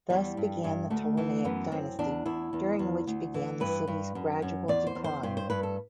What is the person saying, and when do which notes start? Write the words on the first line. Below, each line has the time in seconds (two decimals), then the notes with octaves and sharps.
Thus began the Ptolemaic dynasty, during which began the city's gradual decline.
0.10 E2 G3
0.37 G2
0.64 G2
0.90 D2 A3
1.17 E3 A3
1.45 F#2 B3
1.72 F#2 C4
1.99 E2 D4
2.26 E2 E4
2.53 E2
2.79 E2
3.07 D2
3.34 E3
3.60 G2 B4
3.88 G2
4.15 F#2
4.42 F#2
4.68 E2 D5
4.87 C5
4.95 E2
5.04 C5
5.23 G2 C5
5.37 C5
5.50 G2 B4
5.63 A4